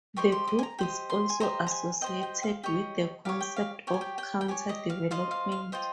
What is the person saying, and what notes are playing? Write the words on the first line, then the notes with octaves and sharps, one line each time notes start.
The group is also associated with the concept of Counter-development.
G4 C5 D#5 C#6
C6
D#5
G#5
A#5
G4 C5 D#5
C6
G#5
G4 C5 D#5 A#5
A#5
G#5
G4 C5 D#5 G5
G5
F5
G4 C#5 D#5
G4 C#5 F5
G5
F5
G4 C#5 G5
G#5
G5
G5
G5
G4 C#5 G#5
D#5
F5
F4 C5 D#5 F5
F5
F5
F4 C5 D#5 G5